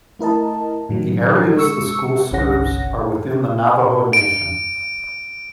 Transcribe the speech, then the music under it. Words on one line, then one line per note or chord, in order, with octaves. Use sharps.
The areas the school serves are within the Navajo Nation.
A3 E4 A#4 D#5 A5
A2 D#3 F#3
G#3 C#6 E6 C#7
G1 C2 D3 C#4 F#5 A#6
D7